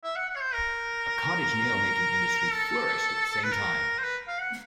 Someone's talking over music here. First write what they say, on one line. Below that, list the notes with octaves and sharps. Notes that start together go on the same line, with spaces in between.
A cottage nail making industry flourished at the same time.
E5
F#5
F#5
C#5
C5
A#4
A4
B4
A#4
C5
B4
F5
F#5